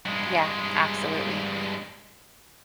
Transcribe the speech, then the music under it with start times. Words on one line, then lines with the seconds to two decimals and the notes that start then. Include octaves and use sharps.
Yeah, absolutely.
0.05 G2 G#3